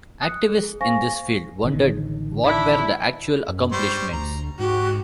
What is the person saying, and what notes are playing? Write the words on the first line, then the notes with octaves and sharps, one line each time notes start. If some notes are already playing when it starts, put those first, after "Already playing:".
Activists in this field wondered what were the actual accomplishments.
D#6 F#6 C#7
G#4
C5 F5 G#5 C#6 A#6
A1 D3 D#3
D4 E4 B5
F#2
G2 G3 C5 C#6
D2 A#5
G#2 F#4 G4